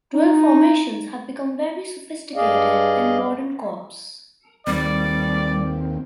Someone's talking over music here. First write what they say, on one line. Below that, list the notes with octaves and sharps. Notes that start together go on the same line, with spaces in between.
Drill formations have become very sophisticated in modern corps.
D#4
G2 G#4 D5 D#5 F5
D#2 G3 C4 D5